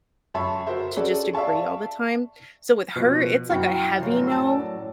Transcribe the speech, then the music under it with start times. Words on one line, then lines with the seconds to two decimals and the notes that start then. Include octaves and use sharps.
to just agree all the time." So with her, it's, like, a heavy no,
0.34 F#2 E5 A5 B5 C#6
0.66 F#4 A#4 C5 E5
0.96 C#4 F#4 G#4 A4 D5
1.33 D5 E5 F5 A5 C#6
2.96 B2 F3
3.50 F#2 E4 F#4 G5
4.00 F3 F#3
4.16 F#2 A2 F#3
4.27 A5 E6
4.45 D5